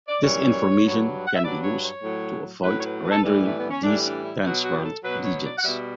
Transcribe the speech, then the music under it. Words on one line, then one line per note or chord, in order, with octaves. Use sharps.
This information can be used to avoid rendering these transparent regions.
D5
F#2 E3 G3 C#5
G2 F#3
F#5
E5
G2 F#3 D5
C#5
C#5
A2 F#3
A2 F#3 B4
C#5
B4
B4
A4
A2 E3 G3 B4
A3
B3
C#4
A2 E3 G3 D4
D4
E4
B2 F#3 F#4
F#4
G4
A4
B2 F#3 B4
C#5
D5
F#5
B2 G3 E5